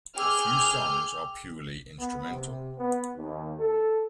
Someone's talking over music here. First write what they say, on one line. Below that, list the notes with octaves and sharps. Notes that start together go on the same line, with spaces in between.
A few songs are purely instrumental.
G#4 G5 D6 E6 F6 G6
B3
C3
B3
D#2
A4